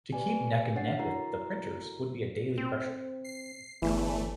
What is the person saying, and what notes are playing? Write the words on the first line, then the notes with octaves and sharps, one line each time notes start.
To keep neck and neck with the printers would be a daily pressure.
G4 B4 D5 G#5
C#4 D4 C#5 F#5 A6 C7
E4 F#4 A#4 A#5 C7
C4
C7
G1 E2 E3 A3